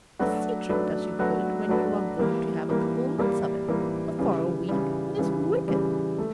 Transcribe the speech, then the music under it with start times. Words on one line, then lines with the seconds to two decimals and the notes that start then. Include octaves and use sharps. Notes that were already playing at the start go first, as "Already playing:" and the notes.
A sea trip does you good when you are going to have a couple of months of it, but, for a week, it is wicked.
0.19 F#3 A3 D4 F#4 B4
0.69 F#3 A3 D4 F#4 B4
1.19 F#3 A3 D4 F#4 B4
1.69 F#3 A3 D4 F#4 B4
2.19 E3 G3 A#3
2.70 E3 G3 A#3
3.18 E3 G3 A#3
3.68 E3 G3 A#3
4.19 C#3 E3 G3
4.69 C#3 E3 G3
5.18 C#3 E3 G3
5.68 C#3 E3 G3
6.18 A3